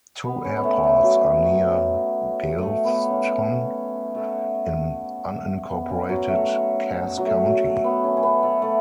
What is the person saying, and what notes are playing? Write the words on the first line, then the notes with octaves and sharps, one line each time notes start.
Two airports are near Galveston in unincorporated Cass County.
B3
C#4
B3
A3
A3
F#3
A3
B3
C#4
A3
B3
C#4
F#3
A3
F#3
A3
F#3
A3
B3
C#4
C#4
B3
A3
A3